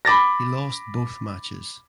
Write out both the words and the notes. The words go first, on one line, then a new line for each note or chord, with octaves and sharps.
He lost both matches.
B5 D6 A6 A#6